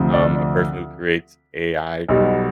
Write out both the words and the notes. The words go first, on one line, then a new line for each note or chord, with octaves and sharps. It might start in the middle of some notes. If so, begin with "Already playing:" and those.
um, a person who creates AI
Already playing: D2 C3 F3
D5
B1 B2 G3